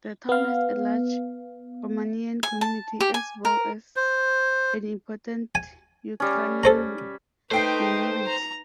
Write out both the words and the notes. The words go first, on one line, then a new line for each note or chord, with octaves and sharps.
The town has a large Romanian community as well as an important Ukrainian minority.
B3 F5
G#5
A5
G4
G#5
A#4
C5
G#5
G3 C#4
A4 C5 A#5
A3 D#4 B4 C5 G5 C7
A#5